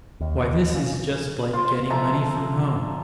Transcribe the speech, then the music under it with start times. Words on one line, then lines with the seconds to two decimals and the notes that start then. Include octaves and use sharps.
"Why, this is just like getting money from home."
0.20 D#2
0.41 D#2
0.74 C#3
1.53 F4 C5
1.90 F3 A4 E5 A#5